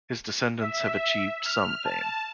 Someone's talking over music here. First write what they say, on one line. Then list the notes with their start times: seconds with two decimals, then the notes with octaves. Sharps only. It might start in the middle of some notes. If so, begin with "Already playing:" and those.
His descendants have achieved some fame.
0.60 E5
1.45 F6
1.85 A5